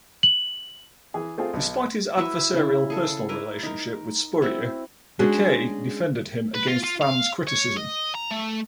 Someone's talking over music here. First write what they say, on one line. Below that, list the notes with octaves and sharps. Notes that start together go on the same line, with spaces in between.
Despite his adversarial personal relationship with Spurrier, McKay defended him against fans' criticism.
F#7
E3 G#4
A3 C4 F4 G#4
B1
E4 F#4 B4 E5
C#3 E4
G#4 A4
E4 A#4 B4 D5
D#4 A#4
C4 E4 F#4
G#3 C#4 D4 F#4 G#4
B4
F4
F4
F5
C#5
D#5
A#5
A3